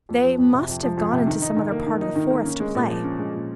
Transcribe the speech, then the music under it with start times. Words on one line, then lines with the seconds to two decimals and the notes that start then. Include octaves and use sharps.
They must have gone into some other part of the forest to play.
0.09 F2
0.24 F3
0.39 F2
0.53 C3
0.68 F2
0.83 F3
0.97 F2
1.12 C3
1.27 D#3
1.42 D#4
1.57 D#3
1.71 A#3
1.86 D#3
2.01 D#4
2.16 D#3
2.30 A#3
2.45 C#4
2.60 G#3
2.75 A#2
2.90 F3
3.04 C#4
3.19 G#3
3.34 A#2